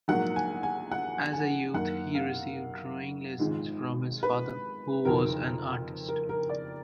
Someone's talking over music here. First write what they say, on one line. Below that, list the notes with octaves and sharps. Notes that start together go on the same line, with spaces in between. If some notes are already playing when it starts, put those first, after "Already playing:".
As a youth, he received drawing lessons from his father, who was an artist.
A#1 G#2 F#3 A#3 F#5
G#5
G#5
F#5
G#5
F#2 D#3 A#3 F#5
F5
G#1 G#2 F3 G#3
B4
F#1 F2 D#3 A#4
A#4
A#4
D5